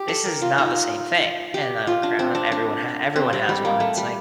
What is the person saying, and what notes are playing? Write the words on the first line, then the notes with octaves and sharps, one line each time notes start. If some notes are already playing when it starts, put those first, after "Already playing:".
this is not the same thing." And I look around and everyone ha everyone has one. And it's like
Already playing: G4
A4
A#4
F4
D#4
G4
F4
D4
C4
D4
D4
C4
G3
G3
A#3
A3
G3